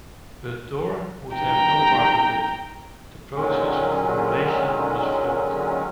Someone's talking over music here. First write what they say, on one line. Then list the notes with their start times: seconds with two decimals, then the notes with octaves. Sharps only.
But Dorr would have no part of it; the process of formulation was flawed.
1.34 G5 A#5
3.35 A#2 D3 D#3 F#3 G#3 C#4